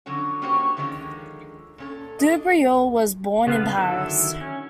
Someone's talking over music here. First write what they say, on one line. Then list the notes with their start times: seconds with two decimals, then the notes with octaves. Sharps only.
Dubreuil was born in Paris.
0.06 D3 F3 F#3 C#4 F#4
0.42 A#3 C#4 F#4 G4 C5 C#5
0.77 D3 D#3 F3 G#3 C#4
1.78 A#2 C#4 A4
2.19 D4 A4 D#5
3.47 C#3 B3 F4 B4 F5
3.77 D3 D#3 F#3 E4 A4
4.41 C#4